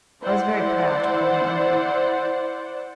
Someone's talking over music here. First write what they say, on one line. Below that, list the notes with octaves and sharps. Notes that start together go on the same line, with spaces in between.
I was very proud to call him uncle.
E4 C5 D5 F#5